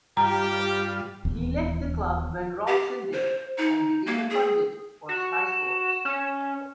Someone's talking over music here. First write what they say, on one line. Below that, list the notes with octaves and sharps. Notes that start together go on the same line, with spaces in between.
He left the club when Robson did, and became a pundit for Sky Sports.
G2 G3 F4 G4 A#5
D#1 E2
G4
C5
D#4
A#3
G#4
F#4 E7
C#4